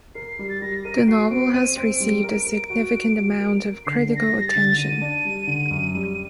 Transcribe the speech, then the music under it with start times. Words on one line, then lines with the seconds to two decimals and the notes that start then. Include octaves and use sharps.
The novel has received a significant amount of critical attention.
0.15 A#4 C7
0.39 G3
0.50 A6
0.61 G3 A#6
0.85 A#4 D#7
0.96 D7
1.08 F#4 C7
1.30 C4 D7
1.54 C4 D#7
1.77 C4 D7
2.00 G3
2.24 A#4
2.46 A#4
2.70 F#4
2.93 A#4
3.17 F#4
3.40 A#4
3.63 A#4
3.86 D3 C7
4.09 D4 C7
4.16 A#6
4.32 G3
4.40 A#6
4.48 A6
4.55 D3
4.78 D3 D#7
5.01 D4
5.25 G3
5.47 D3
5.71 F#2
5.95 G3